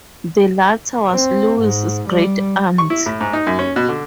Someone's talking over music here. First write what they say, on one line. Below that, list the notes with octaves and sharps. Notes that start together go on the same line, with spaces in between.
The latter was Louis's great-aunt.
C4
G#2
G3
C#6
E4
A2
G#2
D#4
F#2
C#4
B2
D3